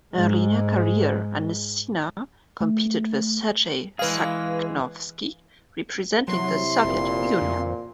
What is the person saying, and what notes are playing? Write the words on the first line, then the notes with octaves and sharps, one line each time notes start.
Early in her career, Anissina competed with Sergei Sakhnovski, representing the Soviet Union.
G#2 G#3
A3
E3 G#3 G#4 B4 F5
C3 F#3 E4 C6
F1 A#2
F2